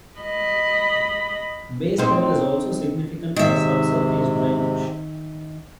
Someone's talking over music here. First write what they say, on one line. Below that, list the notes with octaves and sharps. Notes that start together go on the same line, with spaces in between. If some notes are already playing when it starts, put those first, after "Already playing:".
Base level is also significant for subsurface drainage.
D#5 B5
C4 D#4
G#2 C3 D#3 E5